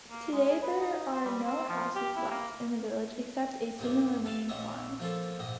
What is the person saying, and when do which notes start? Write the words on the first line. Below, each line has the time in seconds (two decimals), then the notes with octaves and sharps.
Today there are no houses left in the village except a single remaining farm.
0.10 A#3
0.32 G#3
0.49 G#4
0.62 B4
0.81 D#4
1.13 C5
1.25 G3
1.44 C4
1.69 F3
1.95 G4
2.16 E4
2.30 A#3
3.78 G2 C3 D#3 A#3
4.25 A4 F5 A5
4.49 A#1 A#2 C#5 D#5 E5
5.00 F3 A#3 F4 A4
5.39 A#1 G#2 D#5